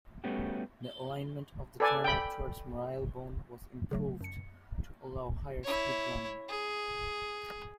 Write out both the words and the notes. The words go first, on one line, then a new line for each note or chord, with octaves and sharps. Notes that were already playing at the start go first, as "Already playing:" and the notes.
The alignment of the turnout towards Marylebone was improved to allow higher-speed running.
G3 A3 B3 C#4 F#4 G4
A4 B4 D5 G#5
G5 B5
C#3 F#3 A3
F#2 C#7
E4 C#5
G#4